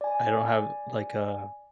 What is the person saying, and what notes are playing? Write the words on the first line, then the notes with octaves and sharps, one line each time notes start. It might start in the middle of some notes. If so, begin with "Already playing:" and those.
I don't have like, uh
D5 G#5